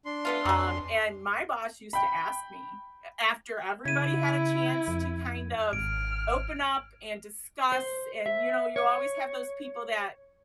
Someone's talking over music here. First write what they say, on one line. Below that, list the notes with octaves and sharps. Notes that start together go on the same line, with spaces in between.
Um, and my boss used to ask me a after everybody had a chance to kind of open up and discuss, and, you know, you always have those people that
D4 C6
A3 B3 F4
F2 F#3 G#3
G5 B5
C#3 E4 G#6 D#7
F2
G#1 F6 D7
C5
E5
C#5